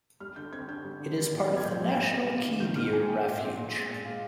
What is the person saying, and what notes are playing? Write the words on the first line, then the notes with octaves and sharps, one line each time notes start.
It is part of the National Key Deer Refuge.
G3 F6
D3 G6
C4 G#6
D3 G6
G3
D3
G3
A#2
C4
G#6
A#2 G6
G3
A#2
A#3
A#3
D#3
D#3 G6
A#3 F6
A#3 G#5
G#3 G5
A#2
C4
A#2
G#3
A#2
G#3 F5